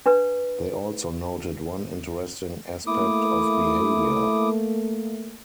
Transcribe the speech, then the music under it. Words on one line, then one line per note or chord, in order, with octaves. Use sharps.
They also noted one interesting aspect of behaviour.
D4 B4
A3 A#3 E4 D6 D#6